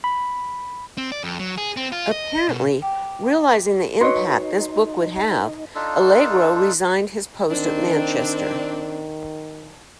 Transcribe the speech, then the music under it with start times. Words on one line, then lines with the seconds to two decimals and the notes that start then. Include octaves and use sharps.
Apparently realising the impact this book would have, Allegro resigned his post at Manchester.
0.04 B5
0.97 C4
1.12 D5
1.24 F2
1.39 F#3
1.58 G#4
1.77 C4
1.92 F4
2.11 D#5
2.48 B2
2.82 G4
4.01 D#4 F#4 B4 C#5 D#5 C6
5.75 D4 D#4 F4 A4
7.51 D#3 C4 D4